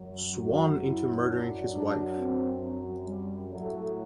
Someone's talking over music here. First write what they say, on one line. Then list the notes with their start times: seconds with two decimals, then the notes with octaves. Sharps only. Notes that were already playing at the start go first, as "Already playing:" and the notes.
Swann into murdering his wife.
Already playing: F#2 F#3
0.37 F#4
0.81 E4
1.26 D4
1.71 D4
2.16 C4
2.61 F#3
3.05 G3
3.50 A2 F#3 A3